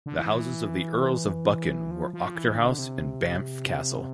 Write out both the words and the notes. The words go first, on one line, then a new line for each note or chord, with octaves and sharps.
The houses of the Earls of Buchan were Auchterhouse and Banff Castle.
D3
E3
F3
F3
E3
D3
C3